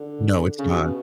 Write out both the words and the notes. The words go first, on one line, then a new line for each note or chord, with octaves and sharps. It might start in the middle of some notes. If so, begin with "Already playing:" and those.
No, it's not.
Already playing: D3
C#3
B2